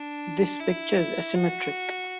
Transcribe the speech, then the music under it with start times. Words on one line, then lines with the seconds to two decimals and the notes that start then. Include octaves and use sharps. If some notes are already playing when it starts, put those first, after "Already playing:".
This picture is asymmetric.
Already playing: D4
0.60 E4
1.35 F#4